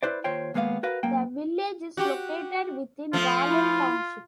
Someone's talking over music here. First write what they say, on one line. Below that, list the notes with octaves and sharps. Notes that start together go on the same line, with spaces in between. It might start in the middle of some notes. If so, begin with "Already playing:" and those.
The village is located within Garden Township.
E4 B4 C5 D5
D#2 F4 C5 C#5 G5
D#2 G#3 A#3 B3 F5
F#4 A#4 B4 F5
F#2 A#3 G5
F#4 G4
F3 A3 F4
E4